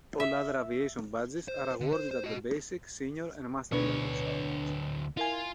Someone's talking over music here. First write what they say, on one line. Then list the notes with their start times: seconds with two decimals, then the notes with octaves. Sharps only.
All other aviation badges are awarded at the basic, senior, and master levels.
0.20 E5
1.48 C5
1.80 D3
1.93 C5
2.11 C5
2.24 F#4 D#5
3.73 D2 B2 D4 B4 C#5
5.17 E4 F4 A#4 G#5